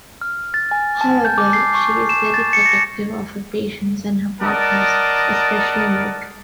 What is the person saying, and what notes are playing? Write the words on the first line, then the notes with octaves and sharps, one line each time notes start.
However, she is very protective of her patients and her partners, especially Mike.
F6
A6
G#5
A5
G6
D6
C7
C#6
E7
A6
C#7
A#6
A#4 D5 D#5 F#5 A5